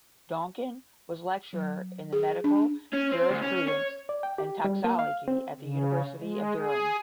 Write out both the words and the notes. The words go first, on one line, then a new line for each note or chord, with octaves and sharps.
Donkin was lecturer in Medical Jurisprudence and Toxicology at the University of Durham.
F#3
G#4
D4
C#4
C4
D2
C#4
C#5
D5
G5
G4
G3
A#3
F5
C4
C#3
G#3
G#4